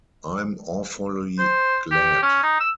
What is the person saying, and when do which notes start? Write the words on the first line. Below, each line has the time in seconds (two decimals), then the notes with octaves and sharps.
I'm awfully glad.
1.39 C5
1.91 G4
2.22 C#4
2.43 D#4
2.60 E6